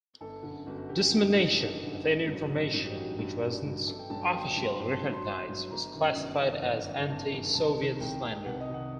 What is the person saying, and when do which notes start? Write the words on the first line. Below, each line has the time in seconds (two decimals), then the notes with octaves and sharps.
Dissemination of any information which was not officially recognized was classified as "Anti-Soviet slander".
0.21 G1 A4
0.43 F#2 D3
0.67 G1 F#4
0.78 F#4
0.89 D3 G4
0.93 F#2
1.01 F#4
1.12 G1 D#4
1.34 F#2 D3 D#4
1.58 G1 D4
1.81 F#2 D3
2.04 A1 D#4
2.26 G2 F#3
2.50 A1 F#4
2.73 G2 F#3 D#4
2.85 G4
2.96 A1 F#4
3.19 G2 F#3
3.41 A1
3.65 G2 F#3
3.87 G1 A4
3.99 G5
4.10 G2 A5
4.15 F#3
4.21 G5
4.33 G1 G5
4.48 A5
4.56 G2 F#3
4.63 C6
4.79 G1 C6
4.91 A5
5.01 G2 F#3 A5
5.13 C6
5.25 G1 C6
5.48 G2 F#3
5.71 G1 A#5
5.94 F#2 D#3
6.16 G1
6.40 F#2 D#3
6.62 G1
6.86 F#2 D#3
7.09 G1 A5
7.32 F#2 D#3
7.54 C2 A5
7.77 C3 D#3
8.00 C2 G5
8.23 C3 D#3
8.46 C2 F#5
8.60 D#5
8.69 C3 D#3 F#5